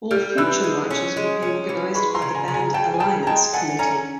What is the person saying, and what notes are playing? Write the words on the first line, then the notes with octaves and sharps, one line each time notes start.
All future marches would be organised by the Band Alliance committee.
G3 F6 G6
E3 E6 F#6
G#3
C#4
G#3
C#4
E3
G#3 B5 C#6
A#5 C6
C#3
G#5 A#5
C#3
G#5 A#5
C#3 G5 A5
G#5
C#3 G5 A5
A#5
G#3 G5 A5
A3 F#5 G#5
C#4 G#5 A#5